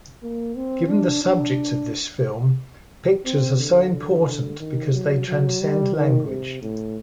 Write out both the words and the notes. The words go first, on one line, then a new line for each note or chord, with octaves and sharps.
Given the subject of this film, pictures are so important because they transcend language.
A#3
C4
D4
D4
C4
D3
D3
D3
D#3
F#3
F#3
G3
D#3
C3
A2